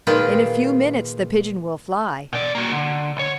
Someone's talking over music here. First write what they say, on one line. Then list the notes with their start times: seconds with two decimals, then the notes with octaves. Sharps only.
In a few minutes the pigeon will fly.
0.07 A#2 D#3 G#3 F4 B4 G5
2.33 B2 D5
2.55 A#3 F#4
2.71 D3
3.17 B1 C#5